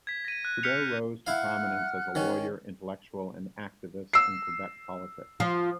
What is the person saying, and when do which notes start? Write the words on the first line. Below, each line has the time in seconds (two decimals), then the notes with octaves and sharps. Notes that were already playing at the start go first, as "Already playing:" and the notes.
Trudeau rose to prominence as a lawyer, intellectual, and activist in Quebec politics.
0.07 G#6 B6
0.25 A#6 D#7
0.45 F#6
0.63 F6 G6 B6 C#7 F7
1.27 E4 F5 F#5 F6 F#6
2.15 D#3 C#4
4.13 E6 C7
5.40 F3